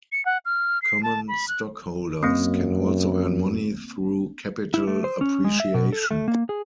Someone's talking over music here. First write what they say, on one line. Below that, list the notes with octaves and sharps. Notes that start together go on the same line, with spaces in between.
Common stockholders can also earn money through capital appreciation.
C#7
F#5
F6
C7
A5
B5
F#6
F#2 A#3 C4
E4
A3
C5
C#4
G#3
E5
B2
A4
A3
A#3
G#4